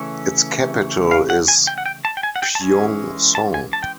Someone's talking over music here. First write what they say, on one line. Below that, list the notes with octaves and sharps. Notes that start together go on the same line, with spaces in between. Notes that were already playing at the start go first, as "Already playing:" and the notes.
Its capital is Pyongsong.
Already playing: C#3 E3 A3 C#4
F5
F#5
G#5
G5
F#5
G5
A5
G5
G#5
F#5
G5
A5
E3 G#3 C#4 G#5
A5
G#5
A5
G5